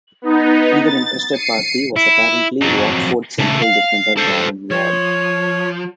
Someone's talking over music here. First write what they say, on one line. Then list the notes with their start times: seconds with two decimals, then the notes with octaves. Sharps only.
Another interested party was apparently Watford central defender Darren Ward.
0.22 B3 D#4
0.84 A6
1.33 C7 C#7 D#7
1.96 E4
2.61 F2 F#3
3.38 C#3 A3
3.61 F5
4.17 A4 C5
4.71 F3 C#5